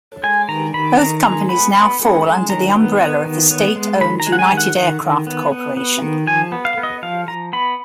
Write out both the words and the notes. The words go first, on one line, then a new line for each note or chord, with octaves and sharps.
Both companies now fall under the umbrella of the state-owned United Aircraft Corporation.
G#3 G#5
D#3 A#5
D#3 B5
D#3 A#5
G#3 A#5
B3 B5
B3 B5
G#3
G#3
D#3 A#5
B3
B3
D#3
B3
G#3
D#3 B5
A#5
G#3
F#5
G#5
D#3
F#5
D#3
D#3
B3
B3
B3
D#3
F3 G#5
B3
F5
B3
D#5
F3 F5
F3 A#5
B3 B5